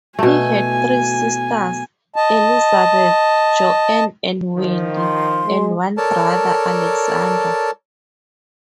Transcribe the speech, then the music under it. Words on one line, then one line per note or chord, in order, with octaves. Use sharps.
He had three sisters, Elisabeth, Joanna and Wendy, and one brother, Alexander.
B2 A3 G#5
D#5 A5
D#3 F3
C6
G#3
A4 A#4 C#5 D5 A5